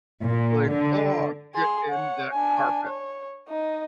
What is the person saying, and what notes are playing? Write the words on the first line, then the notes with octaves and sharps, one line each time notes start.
like, "Oh, get in that carpet."
A#2
D3
G#4 C6
C#5 F#5
D4 G#5
C#5
D#4 D#5